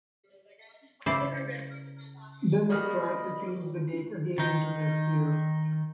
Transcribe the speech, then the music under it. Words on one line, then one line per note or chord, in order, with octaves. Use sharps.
Then they tried to change the date again into next year.
C#3 E4 C5 D5
B2 G3 A#3 D5 D#5 B5 F6
D#3 D#4